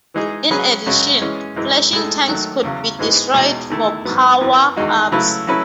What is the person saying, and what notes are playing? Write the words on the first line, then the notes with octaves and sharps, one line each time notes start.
In addition, flashing tanks could be destroyed for power-ups.
E3 G#3 D#4 G#4
F#3 C#4 G#4 B4
F#2 C#3 G#3 C#4 F#4
E3 G#3 C#4
F#2 E3 G#3
A2 G#3 D#4 A4
D#3 F#3 A3
E2 C#3 F#3
G#2 E3 G#3 B3
E2 B2 G#3 D#4 G#4
E2 D#3 A3 E4
G#2 F#3 B3
F#2 E3 B3
E2 D#3 G#3 D#4 F#4
C#3 F#3 A3 E4 B4
F#3 A3 C#4 E4 B4